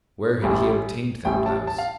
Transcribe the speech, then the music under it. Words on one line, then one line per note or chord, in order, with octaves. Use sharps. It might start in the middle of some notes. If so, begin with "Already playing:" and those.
Where had he obtained that blouse?
A1 A2 G3
A1 A2 G3 G5
A5
A5
F5